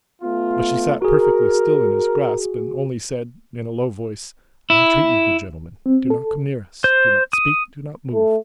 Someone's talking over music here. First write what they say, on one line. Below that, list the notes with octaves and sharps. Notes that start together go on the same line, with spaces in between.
But she sat perfectly still in his grasp, and only said, in a low voice, "I entreat you, good gentlemen, do not come near us, do not speak, do not move!"
A3 B3 F4
F#4 G#4 A#4
E4
C4
A4
C5
D#6
A3